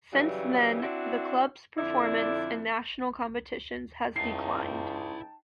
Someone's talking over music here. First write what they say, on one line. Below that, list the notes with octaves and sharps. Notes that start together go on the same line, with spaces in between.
Since then the club's performance in national competitions has declined.
C#3 E3 F#3 G3
C4 D4 E4 F#4
F2 D3 E4 D5
C#2 D#4 E4 G5 A5 A#5 C7